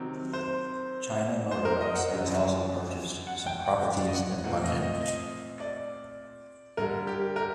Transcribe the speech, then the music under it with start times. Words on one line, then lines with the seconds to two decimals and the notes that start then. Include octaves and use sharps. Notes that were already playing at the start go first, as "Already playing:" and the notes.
China Motor Bus has also purchased some properties in London.
Already playing: C3 D#3 F#3 C4
0.33 C5
1.51 C5
1.65 A#4
1.81 D#5
1.95 F#5
2.10 F#2 D3 G3
3.27 F#5
3.47 G5
3.65 F#5
4.00 D5
4.07 D#5
4.14 F#5
4.44 A#2 A3 C4 F#5
4.64 D#5
4.82 D#5
5.03 D#5
5.60 D5
6.77 G2 D3 G3 A#4
7.07 G4
7.36 A#4